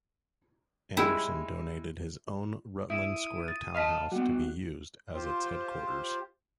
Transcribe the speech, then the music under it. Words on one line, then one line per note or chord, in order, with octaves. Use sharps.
Anderson donated his own Rutland Square townhouse to be used as its headquarters.
G3 G#3 E4 G5
E4 E5 D#6
A6
D#5 F5 A5 F6 B6
G3 B3 F#4
F4 G4 C5